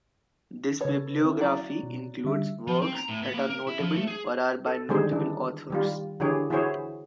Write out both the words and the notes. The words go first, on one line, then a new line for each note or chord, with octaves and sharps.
This bibliography includes works that are notable or are by notable authors.
C#3 A4 B4 C#5
C4 E4
F#3 D5
B2
D3 G3 E5
F3
C4
A#5
A2
B3
A#3
A#4
E4
F3
A3
G#4
A4
D3 D#3 G3 G#3 G#4 C5
E3 D4
D#3 G3 F4
D3 E3 G4 G#4 C#5
E3 E4 F#4 G#4 C5 C#5